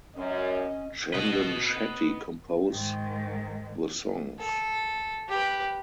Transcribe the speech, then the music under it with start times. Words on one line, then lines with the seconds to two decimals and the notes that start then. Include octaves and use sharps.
Chandan Shetty compose the songs.
0.17 F#2 C#4 D#5
1.14 B4 D#5
2.69 G#2 D#3
4.38 A4
5.28 G4 B4